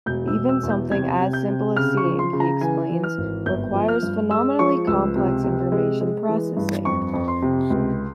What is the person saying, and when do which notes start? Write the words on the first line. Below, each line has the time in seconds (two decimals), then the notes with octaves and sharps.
Even something as simple as seeing, he explains, requires phenomenally complex information processing.
0.06 E1 G6
0.28 E6
0.35 E1
0.49 E6
0.63 E2
0.70 G6
0.91 C3 G#6
1.20 C3
1.33 G6
1.48 C3
1.76 C#3 F6
1.97 C#6
2.04 F3
2.19 C6
2.33 C#3
2.40 A#5
2.61 E3 G#5
2.90 E3
3.04 F6
3.18 G#1
3.46 G1 G6
3.74 F3
3.88 F6
4.03 G2
4.31 G#3 E6
4.59 F3 C#6
4.87 C#2 E6
5.16 C3
5.44 C3
5.72 G#3
6.01 G#3
6.29 E3
6.57 G2
6.85 F2 C#6
7.14 F2
7.28 C6
7.42 C3
7.70 C#2